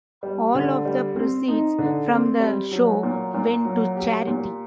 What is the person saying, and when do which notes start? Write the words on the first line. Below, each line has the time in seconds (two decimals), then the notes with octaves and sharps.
All of the proceeds from the show went to charity.
0.23 G3
0.55 D3
0.85 G3
1.16 C4
1.48 D#4
1.78 D3
2.09 C4
2.40 G3
2.71 F#3
3.03 A#2
3.34 A#2
3.65 F#3
3.96 G4
4.27 A#2